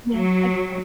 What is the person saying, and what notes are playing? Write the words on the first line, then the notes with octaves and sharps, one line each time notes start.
Yeah, I get that.
F#3